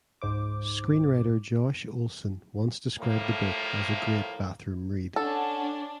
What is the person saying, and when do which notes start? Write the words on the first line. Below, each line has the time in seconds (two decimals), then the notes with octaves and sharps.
Screenwriter Josh Olson once described the book as "a great bathroom read".
0.22 C#2 G#2 C5 D6
2.98 A2 F3 G3 A3 A#3
5.16 C#4 D4 A4 F#5 A5